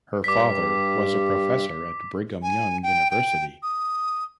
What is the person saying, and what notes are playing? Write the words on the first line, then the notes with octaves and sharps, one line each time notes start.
Her father was a professor at Brigham Young University.
G2 G3 D6 B6
G#5
G5
G5
D#6